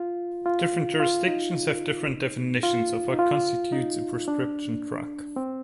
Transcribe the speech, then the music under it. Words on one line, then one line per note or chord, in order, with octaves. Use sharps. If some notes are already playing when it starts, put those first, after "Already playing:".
Different jurisdictions have different definitions of what constitutes a prescription drug.
Already playing: F4
F4
F4
D#4
F4
D#4
F4
D#4
D4
C4